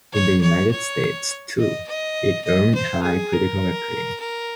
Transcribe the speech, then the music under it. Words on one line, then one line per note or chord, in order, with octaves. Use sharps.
In the United States, too, it earned high critical acclaim.
C#5
C#5
C#5
D#5
D#5
D#5
C5
G#4
A#4
A#4